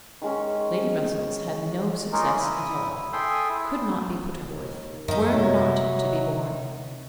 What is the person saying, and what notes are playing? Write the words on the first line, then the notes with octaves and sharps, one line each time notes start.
Lady Russell's had no success at all: could not be put up with, were not to be borne.
D#3 G#3 C#4
G#3 A#3 C#4 D#4 F4 A#4
E4 D#6
G#4 A4 E5 G5 C6 D#6
E4
D#2
F#2 D#3 D#4 E4
C3 F#3 C4